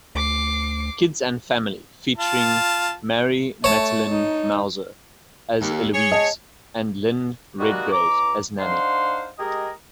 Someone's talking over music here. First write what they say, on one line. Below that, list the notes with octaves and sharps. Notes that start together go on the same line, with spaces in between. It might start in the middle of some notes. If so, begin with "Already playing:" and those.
Kids and Family, featuring Mary Matilyn Mouser as Eloise and Lynn Redgrave as Nanny.
D2 D6 C7
F4 A5
A3 C#5 A5
D#4
D#2
G#4 C#5
D#5 A5
D#3 G3 G#3 A#3 B3 F#4
C#2 A#5 D6
D4 D#4 C5 F5 F#5 C6
G#3 G4 G#4 A#4 D#5